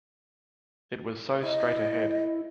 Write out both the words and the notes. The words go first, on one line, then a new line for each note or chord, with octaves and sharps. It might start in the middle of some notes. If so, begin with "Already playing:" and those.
It was so straight-ahead.
E4 D#5